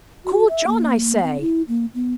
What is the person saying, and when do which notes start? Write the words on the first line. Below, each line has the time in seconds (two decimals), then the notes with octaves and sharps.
Call John, I say!'
0.25 F#4
0.49 E5
0.67 A#3
1.23 C4
1.41 E4
1.68 A#3
1.94 B3